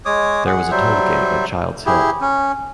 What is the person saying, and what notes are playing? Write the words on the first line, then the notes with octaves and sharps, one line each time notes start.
There was a tollgate at Childs Hill.
G#3 C#5 D6 D#6
G#4 F#5
F#3 G3 C5 E5
E4 G4 G#4
C#4